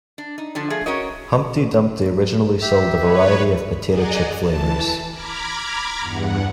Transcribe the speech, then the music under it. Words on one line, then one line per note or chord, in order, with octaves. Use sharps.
Humpty Dumpty originally sold a variety of potato chip flavours.
D4
D#4
D3 F3 D4
F3 A3 G#4
C#4 F#4 A#4 C#5 D#5
G4 E5
B4 C#5
G#4 D5 D#5 F#5 G#5 A#5
E3 A5
A#5 B5 D6 F6 G#6
E2 G2 F#5